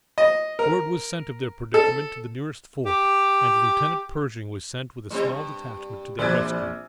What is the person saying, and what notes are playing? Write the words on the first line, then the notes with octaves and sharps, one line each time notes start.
Word was sent of their predicament to the nearest fort, and Lieutenant Pershing was sent with a small detachment to their rescue.
D#5
A#4
A4
G4
G#2 G3 C4
G2
A#1 E3 C4 B4 D5 G#6